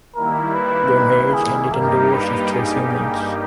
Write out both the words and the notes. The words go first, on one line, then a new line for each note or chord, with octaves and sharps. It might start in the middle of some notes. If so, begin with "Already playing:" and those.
Their marriage ended in divorce after a few months.
D#3 G3 A#3 E4 A#4
B4
G#4
G2 G3 A#3 D#4 G4 A#4
B4
G#4